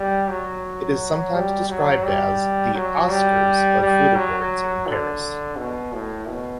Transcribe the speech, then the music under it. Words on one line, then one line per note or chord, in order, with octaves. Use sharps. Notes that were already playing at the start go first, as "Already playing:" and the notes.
It is sometimes described as the "Oscars of food awards in Paris".
Already playing: G3
F#3
G3
F#3
G3
F#3
G3
G3
F#3
D3
B2
A2
B2